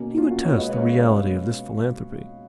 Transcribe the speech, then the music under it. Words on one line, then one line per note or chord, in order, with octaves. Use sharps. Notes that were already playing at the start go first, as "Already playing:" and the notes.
He would test the reality of this philanthropy.
Already playing: B2 A#3 C#4
B2 A#3 C#4 F4
F#4
C#5 F5
B2 G#3 C#4 B4 D#5
C#5 F5
B2 G#3 C#4